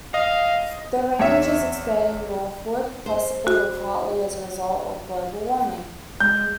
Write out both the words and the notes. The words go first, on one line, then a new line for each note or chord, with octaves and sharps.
Their range is expanding northward, possibly or partly as a result of global warming.
D#5 F5
E2 C#5 E5
C5
F#4
G#3 G6